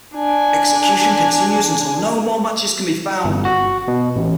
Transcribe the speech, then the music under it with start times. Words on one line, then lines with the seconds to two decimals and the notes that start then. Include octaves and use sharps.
Execution continues until no more matches can be found.
0.15 D4 G#5
3.24 G1
3.45 F#4
3.88 B2
4.16 A1